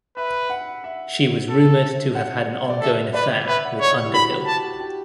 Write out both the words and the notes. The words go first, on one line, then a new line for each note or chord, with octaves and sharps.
She was rumoured to have had an ongoing affair with Underhill.
B4 E5
F#5
E5
A4
F#5
D5
A4 E5
B4 D5
B4 E5
F#5
C#5
G4
E4
F#4 B5
G4
G4 A5
F#4
G4